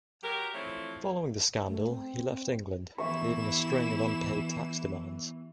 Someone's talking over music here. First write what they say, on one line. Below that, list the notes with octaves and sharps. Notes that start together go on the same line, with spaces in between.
Following the scandal, he left England, leaving a string of unpaid tax demands.
F#3 G4 A#4
E3 F3 A3 C4 E4 C#5
A3
C4
E3 B3 E4 G4 A#4 E5 C#6 E7